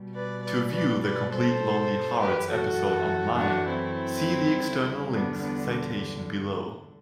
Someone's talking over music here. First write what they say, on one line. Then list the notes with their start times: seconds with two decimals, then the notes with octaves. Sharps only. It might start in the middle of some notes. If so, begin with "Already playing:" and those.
To view the complete "Lonely Hearts" episode online, see the External links citation below.
Already playing: B2 G3
0.13 B4 D5
0.43 B4 D5
0.72 B4 D5
1.01 B4 D5
1.31 A4 C5
2.19 F#2 E3 A3 G4 B4
2.49 F#4 A4
3.36 D4 F#4
3.66 C4 E4
4.53 E2 D3 G3
5.11 B3 D4
5.41 B3 D4